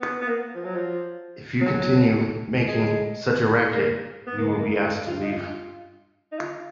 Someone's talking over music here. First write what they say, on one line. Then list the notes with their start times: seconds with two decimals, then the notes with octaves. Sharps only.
If you continue making such a racket, you will be asked to leave.
0.01 B3
0.21 B3
0.28 A#3
0.55 F3
0.65 F#3
0.75 F3
1.61 F#3
2.68 G#3
3.74 A#3
4.27 B3
4.38 A#3
4.48 G#3
4.59 A#3
4.80 G#3
5.07 F4
5.22 D#4
5.33 F4
6.32 D#4
6.39 F4